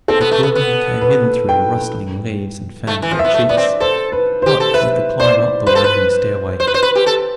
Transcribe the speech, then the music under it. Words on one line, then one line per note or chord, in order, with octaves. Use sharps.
The cool wind came in through the rustling leaves and fanned their cheeks, hot with the climb up the winding stair-way.
C4 A4
B3
A3
B3
B3
B4
G5
A3
E3
F3
E5
B3
A3
B3 D5
C4
A4 C5
B4
G4 C5
A4
B4 E5
C5 D5
B4 C5
A4
B4
C5
B4
C5
B4
G4
A4